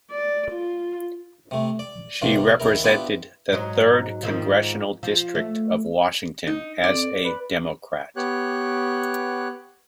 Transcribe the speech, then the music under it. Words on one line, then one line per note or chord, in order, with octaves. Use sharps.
She represented the Third congressional district of Washington as a Democrat.
D5
F4
C3 A3
D5
A#1 E2 C3 A#3 F4 D5
D#2 E4 A#4
B3 D4 E4 F4 G4
G#2 F#3 D#4
G#2 D#3 F3
F3
A3
D#4
F2 D5
B4
B3 G4 C#5 F#6